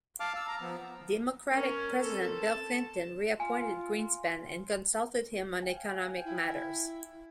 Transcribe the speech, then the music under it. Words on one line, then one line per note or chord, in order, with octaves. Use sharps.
Democratic president Bill Clinton reappointed Greenspan, and consulted him on economic matters.
F5 A5 D6 F6
E6
A#5
F3 B3
C#4 A#4
C4 A4
A5
F4 G#5
F5 G5 G#5
E4